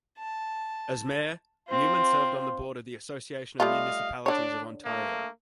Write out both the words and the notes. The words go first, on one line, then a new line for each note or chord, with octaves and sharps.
As mayor, Neumann served on the board of the Association of Municipalities of Ontario.
A5
C4 F4
G3 A3 F4 D#5 F5
D3 D4 C#5
A3 A#3